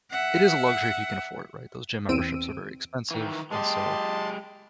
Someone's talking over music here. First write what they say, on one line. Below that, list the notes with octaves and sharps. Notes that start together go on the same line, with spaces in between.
it is a luxury if you can afford it, right? Those gym memberships are very expensive, and so
E5 F#5
E2 C4 E6 D7 D#7
D#3 E3
G#3 G4 D#5 A5 C6